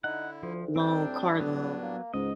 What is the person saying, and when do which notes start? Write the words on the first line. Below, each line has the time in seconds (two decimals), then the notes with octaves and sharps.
loan car loan,
0.04 D3 D#4 E4 F#5
0.43 D2 F3
0.76 A2 G3 C4 D4 G5
1.40 F#3 B3
1.82 A#3
2.14 C#2 G#2 D#5